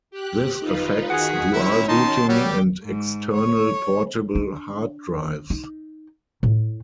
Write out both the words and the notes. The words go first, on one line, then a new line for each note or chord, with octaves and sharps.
This affects dual-booting, and external portable hard drives.
G4 F#6
D#4 F4 B4
D#3 F#4 G#4 F#5 B6
C3 C#4 E4 C#5
D#3 D#4 A5 C6
F#3 G3 G5 D6
G#2
C#5
D4
D#4
A2